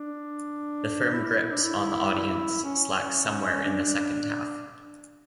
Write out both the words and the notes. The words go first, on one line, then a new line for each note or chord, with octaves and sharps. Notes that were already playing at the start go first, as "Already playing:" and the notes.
The firm grips on the audience slacks somewhere in the second half.
Already playing: D4
E4
D4
E4
C#4
D4